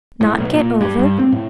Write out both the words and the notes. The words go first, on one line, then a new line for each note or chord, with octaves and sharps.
Not get over?
A2
B1
A#2
G2
G2
C4
A2